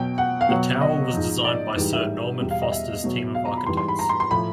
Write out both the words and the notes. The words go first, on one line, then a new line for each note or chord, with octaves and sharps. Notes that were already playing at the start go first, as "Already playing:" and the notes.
The tower was designed by Sir Norman Foster's team of architects.
Already playing: B2 F#3 G5
F#5
F5
B2 F#3 F#5
D#5
G#2 F3
D5
G#2 E3 G3
E5
E2 B2 G3
F5
D#5
E5
B2 F#3
F5
A#5
B5
G#2 E3 G3 C6
C6
B5
A#5
C6
C6
A2 F3 B5